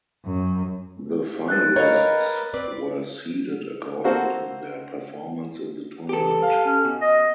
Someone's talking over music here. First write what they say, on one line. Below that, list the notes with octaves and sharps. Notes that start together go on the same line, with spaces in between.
The finalists were seeded according to their performance in the tournament.
F#2
F#6 A6
A#4 B4 C#5 D#5 F5 G5
C4 B4 D5
A#3 C4 F#4 A4 C5
E3 G4 A4
F5
C#4
B2
D#5